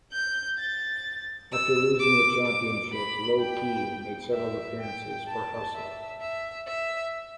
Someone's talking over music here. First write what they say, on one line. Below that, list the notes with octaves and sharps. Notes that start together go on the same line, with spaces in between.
After losing the championship, Low Ki made several appearances for Hustle.
G6
A6
E6
D6
D6
B5
G5
E5
G5
A5
E5
E5
E5